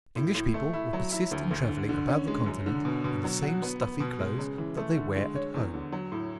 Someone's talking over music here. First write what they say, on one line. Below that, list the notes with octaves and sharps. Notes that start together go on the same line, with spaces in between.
English people will persist in travelling about the Continent in the same stuffy clothes that they wear at home.
A2
A2
A3
E4
F#3
E4
D2
D2
D3
D3
C#4
G#3
F#2
D3
B2
B2
F#3
F#4
B3
B3
B2
G#3
C#3
E3
A3
D3
G#3
C#5
E2
D3
F#3
A2